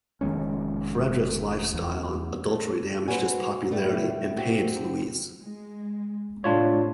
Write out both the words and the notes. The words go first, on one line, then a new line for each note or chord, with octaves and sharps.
Fredrick's life style and adultery damaged his popularity and pained Louise.
F1 D#3 G#3 C#4
E2
C4 F#4 B4 C#5 F#5 G#5
A2 G3 A3 B3
C4 F#4 G4
G#3
A2 C3 D4 F4 C#5